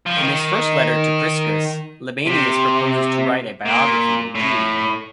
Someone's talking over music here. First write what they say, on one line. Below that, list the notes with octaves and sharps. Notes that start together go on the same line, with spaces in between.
In his first letter to Priscus, Libanius proposes to write a biography of Julian.
F3
D#3
C3
A#2
A2